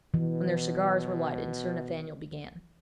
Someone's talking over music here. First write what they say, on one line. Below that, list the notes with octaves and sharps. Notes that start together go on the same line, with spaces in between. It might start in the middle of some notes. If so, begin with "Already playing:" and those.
When their cigars were lighted, Sir Nathaniel began.
B2 E3